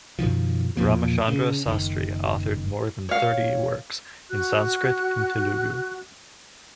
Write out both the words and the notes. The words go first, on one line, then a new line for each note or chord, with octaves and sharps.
Ramachandra Sastri authored more than thirty works in Sanskrit and Telugu.
F#2 B2 D#3 F3
E2 A#2 F3 A#3
C#3
F#1 D#3
C#5 F5
F#4 F#6